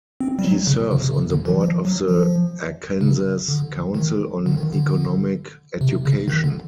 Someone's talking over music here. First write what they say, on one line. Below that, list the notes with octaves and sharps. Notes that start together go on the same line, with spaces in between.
He serves on the board of the Arkansas Council on Economic Education.
C4
G3
F#3
C#3
C#3
C3
C#3
D3
E3
F3
F#3
F3
C#3
D3
D#3
D3
D#3
D3
C3
C#3
D#3
D3